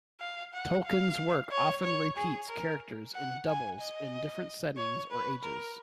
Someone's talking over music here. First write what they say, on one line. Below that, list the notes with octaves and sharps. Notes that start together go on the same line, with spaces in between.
Tolkien's work often repeats characters in "doubles" in different settings or ages.
F5
F#5
F5
C#5
C#5
G#4
A#4
F#5
G#5
D#5
C#5
B4
A#4